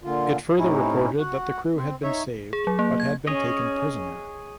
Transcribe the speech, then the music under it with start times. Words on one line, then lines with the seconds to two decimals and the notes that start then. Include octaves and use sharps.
It further reported that the crew had been saved but had been taken prisoner.
0.04 A#2 D3 F4
0.58 A2 C3 C#4 D#4 E4
1.19 F#4 F#5
1.75 C4
2.03 D#4 C#5 E5
2.53 G#4
2.67 F#3
2.79 A#3
3.00 G#6
3.27 C#4 G#4 C#5 D#5